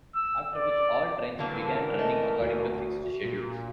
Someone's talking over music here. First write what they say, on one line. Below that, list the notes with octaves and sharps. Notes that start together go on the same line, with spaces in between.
After which, all trains began running according to fixed schedules.
E6
D5
D3 E3 F#3 A#3 A#4 A5
A3 D#5
D2 F#4
A#2